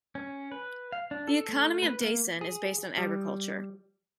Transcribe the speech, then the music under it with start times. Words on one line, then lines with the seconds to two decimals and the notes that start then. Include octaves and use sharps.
The economy of Daisen is based on agriculture.
0.15 C#4
0.52 B4
0.92 F5
1.11 D4
1.28 A4
1.49 A3
1.82 B4
2.01 A#3
2.41 G#4
2.97 G3